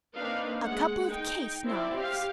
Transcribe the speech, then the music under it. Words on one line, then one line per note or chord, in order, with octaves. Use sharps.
"A couple of case-knives."
A#3 C4 D4 D#4 B4 F5
G#3 F#5
D#4 G5
C4 E4 D5
G4 F5